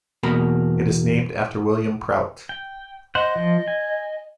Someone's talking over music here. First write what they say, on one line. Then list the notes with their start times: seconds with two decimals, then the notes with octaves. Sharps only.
It is named after William Prout.
0.23 E2 B2 A#3 B5
2.49 G5
3.15 C5 D#5 F#5
3.36 F3
3.68 G#5